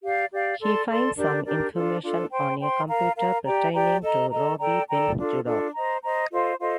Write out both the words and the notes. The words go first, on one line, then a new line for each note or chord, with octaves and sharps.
He finds some information on a computer pertaining to Rabbi Ben-Judah.
G4 D5 F5
G4 D5 F5
A4 D5 A5 C6
A4 D5 A5 C6
D4 G4 A#4 D5
D4 G4 A#4 D5
D4 F4 A4
D4 F4 A4
C5 G5 C6
C5 G5 C6
A#4 F5 A#5
A#4 F5 A#5
G4 D5 G5 A#5
G4 D5 G5 A#5
A4 D#5 A#5
A4 D#5 A#5
A4 D5 G5 A#5
A4 D5 G5 A#5
D4 F4 A4
D4 F4 A4
C5 D#5 A#5
C5 D#5 A#5
F4 A4 C5 D#5
F4 A4 C5 D#5